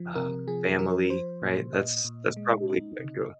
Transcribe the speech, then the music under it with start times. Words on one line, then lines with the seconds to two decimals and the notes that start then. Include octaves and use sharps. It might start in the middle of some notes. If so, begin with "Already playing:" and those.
uh, family, right? That's that's probably who I'd go
Already playing: F3
0.15 C3 A#4
0.48 F3 G#4
0.79 F3 A#4
1.10 F3 C5
1.42 A#2
1.73 A#2 D#5
2.05 A#2
2.37 G#3
2.68 D#4
2.99 C3